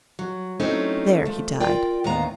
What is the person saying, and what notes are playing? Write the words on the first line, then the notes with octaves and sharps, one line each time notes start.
There, he died.
F#3
F#3 A3 C4 C#4 D#4 E4
F3 A3
F4 A#4 D5 G5
D#2 A2 D3 B3 F5 A#5